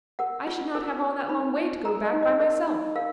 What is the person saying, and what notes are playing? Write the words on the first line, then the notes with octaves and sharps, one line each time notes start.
"I should not have all that long way to go back by myself."
A#4 F#5
F4
A#4 G#5
A#4
D#4 B5
D#4
A#4 A#5
D#5
D#4
D#5
A#4 D#5
D#4
A#4 F5